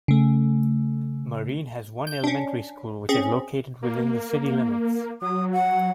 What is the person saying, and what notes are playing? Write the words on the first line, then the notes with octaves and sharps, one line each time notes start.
Marine has one elementary school which is located within the city limits.
C#3 A3
G6
C#4 D4
C4 C#4 G#4
A#3
F#3 D#6
F#5